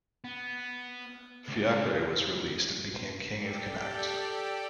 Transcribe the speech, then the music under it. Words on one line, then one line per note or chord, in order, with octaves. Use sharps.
Fiachrae was released and became king of Connacht.
B3
C#2 A3
G4 A4 D5 G5